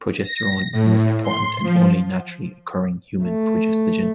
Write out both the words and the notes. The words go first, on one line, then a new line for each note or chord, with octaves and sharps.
Progesterone is the most important and only naturally occurring human progestogen.
A#6
A2
C6
F3
A3